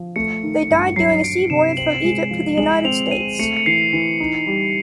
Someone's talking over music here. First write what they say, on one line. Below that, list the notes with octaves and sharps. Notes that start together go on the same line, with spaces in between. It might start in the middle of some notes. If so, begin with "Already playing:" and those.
They died during a sea voyage from Egypt to the United States.
Already playing: F3
A3 C#7
D#3
G2
F#3 C7
F#3 D7
C3 E7
C4 F#7
G#3
F3
G#3 F#7
C4 F7
C4 D#7
A3 C#7
C#7
E3 C7
E3
D#4
G3